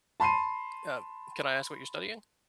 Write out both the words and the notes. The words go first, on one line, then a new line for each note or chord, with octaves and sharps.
Uh, can I ask what you're studying?
A5 B5 C6 C7 D#7